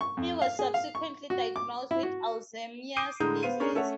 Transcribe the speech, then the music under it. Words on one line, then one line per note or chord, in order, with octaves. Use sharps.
He was subsequently diagnosed with Alzheimer's disease.
C#6
F2
F5
G#4
F5
C#6
F#4
D6
E4
F#4
D6 D#6 G6 C7 D7 D#7
A2 D3 G#3 A#5 D#6 G6
B3 C5 F5 D#7
C#4 D4 G#4 A#4 C#5
A3 C#4 A4 C#5 E5 F#5